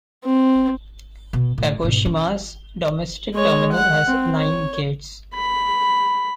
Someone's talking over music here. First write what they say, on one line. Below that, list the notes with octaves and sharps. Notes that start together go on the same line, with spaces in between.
Kagoshima's domestic terminal has nine gates.
C4
B2
A2
G#2 B2
C#4
G#3 C#5
F#5
C4
C#5
B5